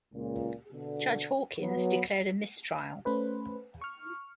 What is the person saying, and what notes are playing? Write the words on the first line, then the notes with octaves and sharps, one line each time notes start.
Judge Hawkins declared a mistrial.
C#2 A#2
B2 D3
F#3 B3
A3 C#4 B4 C5
C#6 F6